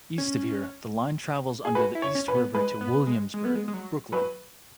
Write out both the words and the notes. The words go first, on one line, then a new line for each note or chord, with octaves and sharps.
East of here, the line travels under the East River to Williamsburg, Brooklyn.
C#4
G#4
F#4 B4
E4
C#5
C#4
B4
B3
G#3 B4
B3
G#3
G#3
B3
G#3
G#3
F#3
F#3 B4